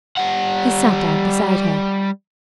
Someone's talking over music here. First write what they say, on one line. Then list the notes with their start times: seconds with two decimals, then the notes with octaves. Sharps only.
He sat down beside her.
0.18 G3 F#5